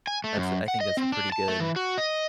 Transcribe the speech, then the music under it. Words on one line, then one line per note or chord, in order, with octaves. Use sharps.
That's I think that's a pretty good
G#5
A3
F#2
F#5
D#5
C4
D4
A5
A3
E3
F#4
D#5